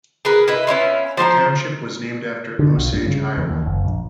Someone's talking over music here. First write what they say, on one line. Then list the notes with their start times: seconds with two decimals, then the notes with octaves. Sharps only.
The township was named after Osage, Iowa.
0.25 G#4 A#4 B4
0.48 E4 B4 D#5
0.67 B3 C#4 E4 F4
1.17 F3 C5 F5 A#5
2.59 D3
2.77 B1
2.93 G2
3.07 C#3
3.37 E2
3.50 D#2
3.66 F#1
3.85 A#1